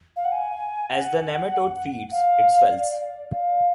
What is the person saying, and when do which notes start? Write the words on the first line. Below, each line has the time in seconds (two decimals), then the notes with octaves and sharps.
As the nematode feeds, it swells.
0.16 F5
0.24 F#5
0.32 G#5
0.92 F#5
2.12 F5
2.71 D5
3.31 F5